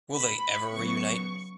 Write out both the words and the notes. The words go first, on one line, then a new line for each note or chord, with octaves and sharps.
Will they ever reunite?
B5
C#3 F#3 B3 C#6